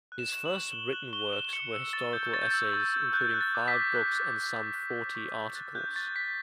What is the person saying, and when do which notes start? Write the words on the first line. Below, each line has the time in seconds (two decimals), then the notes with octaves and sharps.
His first written works were historical essays, including five books and some forty articles.
0.12 F#6
0.19 E7
0.32 C#6
0.46 F#7
0.52 C#6
0.72 F#6 G7
0.92 F#6 F#7
1.13 C#6 G7
1.33 C#6 E7
1.53 C#6 C#7
1.73 E6
1.93 C#6 A6
2.13 G6
2.33 C#6 A6
2.43 G6
2.51 E6 A6
2.73 C#6
2.94 G6
3.13 F#6 G6
3.34 F#6
3.41 A6
3.55 D6
3.68 B6
3.74 D6
3.94 F#6
4.14 F#6
4.34 D6
4.55 D6
4.75 F#6
4.95 F#6
5.15 C#6
5.36 C#6
5.55 F#6 A6
5.75 F#6 G6
5.95 C#6 A6
6.15 C#6 B6